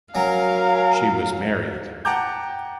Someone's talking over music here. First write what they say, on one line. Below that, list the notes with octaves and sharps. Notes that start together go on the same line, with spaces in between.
She was married.
F#3 C#4 A#4 F5
F#5 G5 A5 A#5 D6 G6